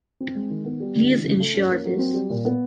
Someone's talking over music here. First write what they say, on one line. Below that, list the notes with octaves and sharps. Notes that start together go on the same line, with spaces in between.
Please insure this.
C4
G#3
D#3
B3
G3
D3
E3
C#3
A3
C#4
A#3
F#3
C4
G3
A#2
B3